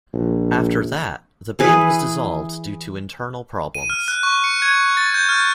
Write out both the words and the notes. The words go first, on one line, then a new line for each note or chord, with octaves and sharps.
After that, the band was dissolved due to internal problems.
A#1
E3 G#4 B4
D#7
F6
F#6
C#6
C#7
G#6
A6
G6
F6